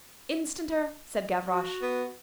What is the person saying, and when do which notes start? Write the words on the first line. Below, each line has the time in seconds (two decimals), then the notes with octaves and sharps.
"Instanter," said Gavroche.
1.52 F#4
1.82 B3